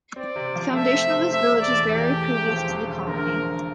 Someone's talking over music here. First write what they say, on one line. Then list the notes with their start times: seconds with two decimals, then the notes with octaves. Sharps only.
The foundation of this village is very previous to the colony.
0.16 C4 D5
0.36 C3
0.55 F3
0.74 A3 E5
0.94 C4
1.13 C3
1.32 A3 E5
1.52 E1
1.61 D5
1.72 E2
1.90 E3 G4
2.10 A3
2.30 E1
2.49 F3
2.69 E1
2.88 D2
3.07 D3 A#4
3.26 F3
3.47 E1